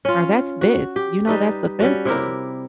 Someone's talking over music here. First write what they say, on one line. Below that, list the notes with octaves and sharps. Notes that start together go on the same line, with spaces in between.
or "That's this," you know, "That's offensive,"
C#4 F4
F#4
G4
G3 D#4 B4
G3 C#4 F#4
C3 E4 G4 A#4